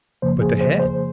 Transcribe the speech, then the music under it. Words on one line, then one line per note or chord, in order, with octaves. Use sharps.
"But the head?"
F2 C#3 F3 A#3 C5
G#4
C5
C5